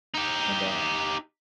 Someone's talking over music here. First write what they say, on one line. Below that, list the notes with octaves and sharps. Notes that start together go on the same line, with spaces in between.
And, um
D#4 G4